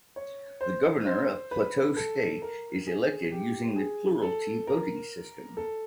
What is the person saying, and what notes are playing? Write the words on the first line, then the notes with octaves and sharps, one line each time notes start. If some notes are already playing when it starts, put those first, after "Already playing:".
The Governor of Plateau State is elected using the plurality voting system.
C#5
C5
C5
B4
A4
A#4
G#4
G4
G#4
A4
A#4
A4